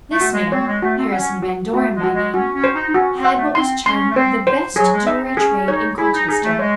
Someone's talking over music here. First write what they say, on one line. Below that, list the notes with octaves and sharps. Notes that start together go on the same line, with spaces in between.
This man--Harrison Van Doren by name--had what was termed the best jewelry trade in Colchester.
A3
F#4
G#3
C4 C#5
G#3
A3 F#4
C4
C#4 F#5
F#4
A3 F#4
G#3
F#4
G#3
C#4 F#4
C#4
C5
D#4
D#4
C#4 F#4
C4
F#5
A3
C4 C6
C#4 C6
A3
C4 C5
C5
F#3 G#4
G#3
D#4 E5
C4
C#4 G#4
C#4
D#4 C#5
E4 G#4
D#4
D#4 G#4
A3
G#3 C#5